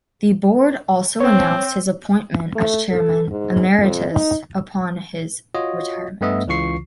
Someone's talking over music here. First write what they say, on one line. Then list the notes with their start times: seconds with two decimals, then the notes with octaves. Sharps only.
The board also announced his appointment as chairman "emeritus" upon his retirement.
1.21 C4 C#5
2.55 A3
2.91 A4
3.31 G#2
3.80 F2
4.12 D#4
5.54 F4 F#4 C#5 D#5
6.21 G2 A3 B3 D#5 E5
6.48 C#2 C#3 E3 F4 C#6 C7